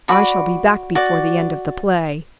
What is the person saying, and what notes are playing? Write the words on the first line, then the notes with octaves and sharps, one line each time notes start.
I shall be back before the end of the play.
F#4 D5 B5
F#4 D5 D6